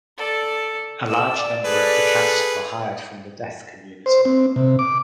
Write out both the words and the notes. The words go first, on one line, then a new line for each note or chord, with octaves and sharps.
A large number of the cast were hired from the deaf community.
A4 D5
D5 E6
G#4 A4 B4 F5 F#6
C5
C4
C3
D6